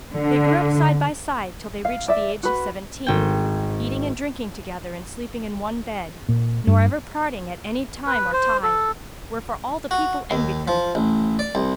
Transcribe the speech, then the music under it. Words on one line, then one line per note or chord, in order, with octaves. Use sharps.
They grew up side by side till they reached the age of seventeen, eating and drinking together and sleeping in one bed, nor ever parting at any time or tide; wherefore all the people envied them.
D3
F5
D5 E5
F#4 B4
G#1 G5
A#2
G2
B4
C5
A4
F#4
D#2
F3
A1
D5
C2